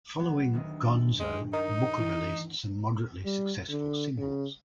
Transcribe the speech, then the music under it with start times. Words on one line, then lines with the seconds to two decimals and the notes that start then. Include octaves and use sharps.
Following "Gonzo", Booker released some moderately successful singles.
0.19 F#3 B3
0.53 D2 D#3 D#5
0.83 A4
1.20 G2 G#3
1.53 D#4 A#4 D#5
1.99 E3
3.25 G3
3.69 D3
4.18 C#3